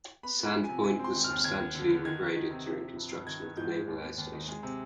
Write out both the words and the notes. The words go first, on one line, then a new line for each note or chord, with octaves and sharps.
Sand Point was substantially regraded during construction of the naval air station.
B3 B5
B3 B5
F3
G#5
C3
G#3 G#5
C4 C6
D#3
F6
D#2
D#2 G#6
B3
D3
B3
D#3 G#6
D#3
D#3
C3
F3
F3
G2
G2
D#3 G#6
B3
G#2 G6
B3
D#2
B3
D#2
D#3
G#3
C3